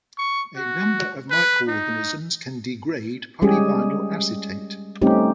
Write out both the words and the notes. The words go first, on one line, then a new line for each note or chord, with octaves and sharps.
A number of microorganisms can degrade polyvinyl acetate.
C#6
F#4
B4
D#4
G3 G#3 C#4 G4 G#4
G3 A3 C4 C#4 D#4 G4